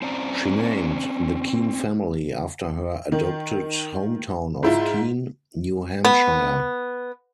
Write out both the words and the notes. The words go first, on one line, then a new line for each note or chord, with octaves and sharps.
She named the Keene family after her adopted hometown of Keene, New Hampshire.
C4 C#4 C5 D5 A#5
D#3
G#2 E4 F4
B3